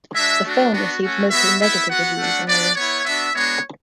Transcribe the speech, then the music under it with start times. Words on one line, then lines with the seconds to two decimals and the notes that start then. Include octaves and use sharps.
The film received mostly negative reviews on release.
0.14 G#3 D4 F#4 E5
0.44 A3 D4 F#4
0.72 B3 D4 F#4
1.02 A3 C#4 F#4
1.30 G#3 B3 F#4 E5
1.60 B3 E4 E5
1.89 B3 F#4 F#5
2.18 A3 D4 F#4
2.47 B3 D4 F#4 D5
2.76 B3 E4 C#5
3.05 B3 D4 F#4 E5
3.34 G#3 B3 D4 F#4 C#5